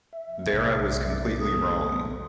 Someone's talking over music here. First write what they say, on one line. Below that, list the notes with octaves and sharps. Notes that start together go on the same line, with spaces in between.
There I was completely wrong.
E5
B1 C3 A3 D5
B3 A4 D#6